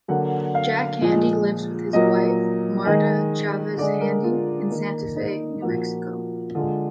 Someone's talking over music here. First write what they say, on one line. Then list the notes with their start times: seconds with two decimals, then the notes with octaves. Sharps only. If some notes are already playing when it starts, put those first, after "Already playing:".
Jack Handey lives with his wife, Marta Chavez Handey, in Santa Fe, New Mexico.
0.08 D3 F#3 A#3 F#5
0.55 F5
1.01 A#2 F3 G#3
1.93 A#2 F#3 A#3 D#5
2.85 D#3 G#3 D#5
3.77 D3 D5
3.82 G#3
4.01 A#4
4.24 F4
4.70 D#3 A#3
5.16 D#4
5.62 A#2 F3 A#3 F#4
6.55 D3 G#3 F4